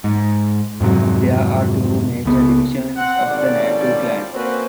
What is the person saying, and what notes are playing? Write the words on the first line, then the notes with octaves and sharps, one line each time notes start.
There are two major divisions of the Natu clan.
G#2
F2 G#2 C3 F#3
C#2 B3
C4 F#5
G#1 D3 F3 G3 C#4 D5
A#3 C4 C#4 F#4 B4 C5